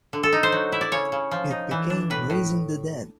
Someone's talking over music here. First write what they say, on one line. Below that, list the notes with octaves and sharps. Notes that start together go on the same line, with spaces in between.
It became "Raising the Dead".
D3
A4
D#4
C5
F#3
E4
D5
C#3 C#5
C#3
F3
D#4
E3
D4
A2 B4
A2